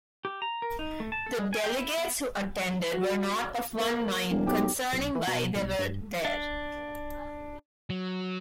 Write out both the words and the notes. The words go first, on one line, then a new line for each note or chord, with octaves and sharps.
The delegates who attended were not of one mind concerning why they were there.
G4
A#5
A#4
D#4
A3
A5
A4
G#3
G#5
G5
E4
B3
F#4
A#3 F#7
E1
B1 G4 G5 D6
B1
E3
B2
B1
G2
D4
F#3